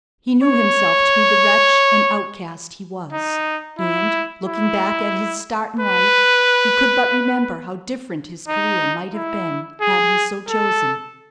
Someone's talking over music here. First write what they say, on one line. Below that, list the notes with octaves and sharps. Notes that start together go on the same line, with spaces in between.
He knew himself to be the wretch and outcast he was; and, looking back at his start in life, he could but remember how different his career might have been had he so chosen.
C#5
D#4
E4
E4
B4
D#4
E4
G#4
A4